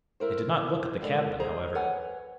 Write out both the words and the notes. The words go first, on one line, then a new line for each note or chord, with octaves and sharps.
They did not look at the cabman, however.
E4 A#4 C5
F#2 A#2 D3 E3 G#3
G#4 C5 A#5
B4 C#5 F#5 G#5